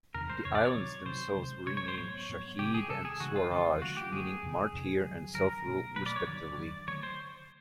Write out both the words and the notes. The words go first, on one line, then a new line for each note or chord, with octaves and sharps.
The islands themselves were renamed "Shaheed" and "Swaraj", meaning "martyr" and "self-rule" respectively.
E2 C3 D#3 A#4
C5
E2 C3 D#3 C#5
D5
C#5
C3 D#3 F#3
C3 D#3 F#3 C5
C3 F3 G#3
C3 F3 G#3 C#5
C#5
C5
A2 F#3 B3 C#5
A2 F#3 B3
C3 D#3 G3 G4
G#4
C3 D#3 G3 A4
G#4
C#3 E3 G#3 C#4 F#4
F4
C#3 E3 G#3 C#4 F4
D3 F#3 A3 C#4 F#4
G4
D3 F#3 A3 C#4 G#4
F2 C3 D#3
F2 C3 D#3
G2 D3 F#3
G2 D3 F#3 A#4
B2 F#3 A3
B2 F#3 A3 B4
D5
C#5
G2 D#3 F#3 D5
G2 D#3 F#3
D3 F#3 A3 C#5
C5